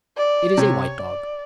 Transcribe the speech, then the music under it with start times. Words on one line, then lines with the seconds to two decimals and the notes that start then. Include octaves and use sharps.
It is a white dog.
0.17 D5
0.58 C3 C#5
0.99 D5